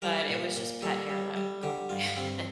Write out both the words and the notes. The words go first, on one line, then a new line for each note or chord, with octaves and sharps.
but it was just pet hair that got on my head.
G3 A#4
A#2
A#2
G3 A4
G3
G3
D3 G4
G2 F4
G2 C4